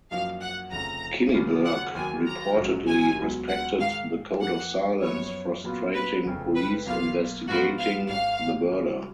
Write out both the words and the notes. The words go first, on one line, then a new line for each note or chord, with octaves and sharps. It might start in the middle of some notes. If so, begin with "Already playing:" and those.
Kinniburgh reportedly respected the code of silence, frustrating police investigating the murder.
F#2 F3 A#3 D#4 F#4 F5
F#5
F1 F2 C#3 A#5
D#2 C#3 F#3 A#3
F#5
D#2 D#3 F#3 A#3 G#5
A#5
A#1 G#2 F#3 C#4
G#5
C#2 B2 F#3
F#5
G#2 D#3 G#3 D#4 F5
F2 F3 A#3 F#5
F#2 F3 B3 C#5
A#2 F#3 B3 F4
B4
F1 F2 C#3
B4
B1 B2 A#3 F4 F5
G#2 F3 B3 F4 F#4
F5
G#1 G#2 D#3 F5
D#2 C#3 F#3